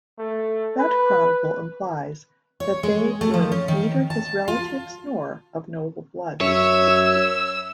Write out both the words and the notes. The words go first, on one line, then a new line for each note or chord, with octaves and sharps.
That chronicle implies that they were neither his relatives nor of noble blood.
A3
B4
C#5
G#3
A3
F3
C#4
D#3
A5
F4
F#2 C#5 E5 E6